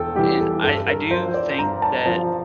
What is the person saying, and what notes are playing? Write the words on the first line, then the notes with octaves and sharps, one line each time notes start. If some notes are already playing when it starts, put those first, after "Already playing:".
and I I do think that
Already playing: E2 A4 G5
E3 G3 G4
A4
G2 A4
A#4
F3 C5
D5
G2 A#5
A5
F3 C5